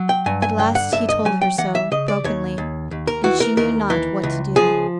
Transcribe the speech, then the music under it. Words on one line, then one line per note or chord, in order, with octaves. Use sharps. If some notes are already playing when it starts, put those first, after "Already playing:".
At last he told her so, brokenly, and she knew not what to do.
Already playing: F#3
G5
G2 G#5
G#5
D3 G5
F#5
G2 E5
D#5
F#3 G#5
G5
E3 F#5
E5
C#3 D#5
D5
D#2 C#5
D#2
D#2
A#4
E3 F#4
A#4
D#2 A#4
E3
C#2
F3 G#4